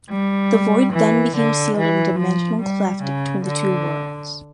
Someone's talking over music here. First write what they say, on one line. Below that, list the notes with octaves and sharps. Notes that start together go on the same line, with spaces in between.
The Void then became sealed in a dimensional cleft between the two worlds.
G3
E3
D3
E3
F3
G3
C#3
D3